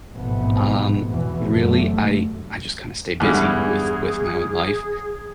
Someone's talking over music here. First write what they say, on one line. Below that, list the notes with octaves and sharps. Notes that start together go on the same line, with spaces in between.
um, really, I I just kinda stay busy with with my own life.
A1 F2 G#2 B2 A3 B3
E2 B2 E3
F1 F#2 D3 A3
E2 G2 D3 G#4